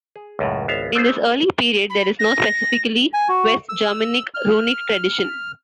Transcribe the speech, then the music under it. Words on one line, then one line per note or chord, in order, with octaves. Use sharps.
In this early period, there is no specifically West Germanic runic tradition.
G#4
C#2 F#2 A2
G#1 C#2 B3 E5 F5
A3 B3 D4 G#4 C5
B5
A#6
G#5
F#4
E6
F6